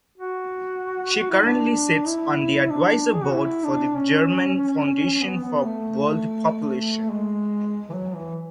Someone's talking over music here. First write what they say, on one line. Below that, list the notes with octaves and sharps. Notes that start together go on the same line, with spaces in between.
She currently sits on the Advisor Board for the German Foundation for World Population.
F#4
F#4
E4
D4
E4
E4
D4
G#4
F#4
E4
D4
C#4
B3
B3
A3
G#3
E3
F#3
E3